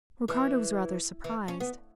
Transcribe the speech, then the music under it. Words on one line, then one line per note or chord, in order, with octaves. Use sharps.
Ricardo was rather surprised.
E3
E3
C#4
B3